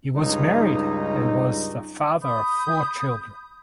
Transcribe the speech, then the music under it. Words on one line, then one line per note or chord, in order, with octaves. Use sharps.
He was married and was the father of four children.
C#2 G2 D#4
B5 D#6 G6